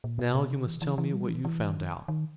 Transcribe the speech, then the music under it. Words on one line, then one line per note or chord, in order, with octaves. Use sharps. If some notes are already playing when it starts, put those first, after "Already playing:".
"Now you must tell me what you found out."
A#2
B2
B2
C#3
E3
E3
E3
G3
E3
E3
D#3
D#3